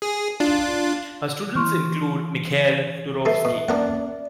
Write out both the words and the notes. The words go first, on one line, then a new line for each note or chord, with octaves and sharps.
Her students include Mikhail Turovsky.
G#4
D4 F4
E3 C6 C#6 F6
B3 A4 E5 C7
B2
A#3 B3 C#4 D4 A#4 D5 F#5